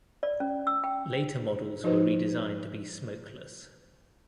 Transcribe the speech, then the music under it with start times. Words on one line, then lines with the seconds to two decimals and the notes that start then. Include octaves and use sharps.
Later models were redesigned to be "smokeless".
0.23 D5
0.40 C#4
0.67 E6
0.84 G5
1.84 F3 D#4 F#4 B4 C5 D#5